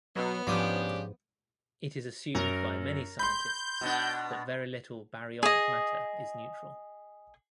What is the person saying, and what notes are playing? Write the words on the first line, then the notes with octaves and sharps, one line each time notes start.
It is assumed by many scientists that very little baryonic matter is neutral.
B2 F#3 B3
G#2 F3 C#4 D4 G4 D#6
F#2 A#4
B5 C6 G6
B2 B3 D4
G#4 D#5